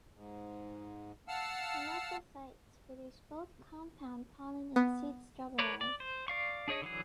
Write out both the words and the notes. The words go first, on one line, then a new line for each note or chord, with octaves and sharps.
Gnetophytes produce both compound pollen and seed strobili.
G#2
F5 F#5 A5 E6 F6
B3
A#4 B4 C#5 D5
D5
C5
D5 F5 C#6
D4 G#4 C#5 D#5
D3 E3 F#3 G#4